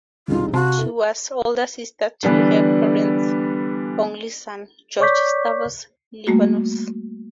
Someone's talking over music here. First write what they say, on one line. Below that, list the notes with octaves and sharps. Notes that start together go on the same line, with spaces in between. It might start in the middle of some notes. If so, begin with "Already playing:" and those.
She was older sister to her parents' only son, George Stavros Livanos.
E1 C2 D#4 F4
C3 F#4 F5 A5 C6
E4 A4
D3 E3 G3 B3 D4
C#5 D5 C#6 D6 G6 B6
G3 A3 A#3 F#4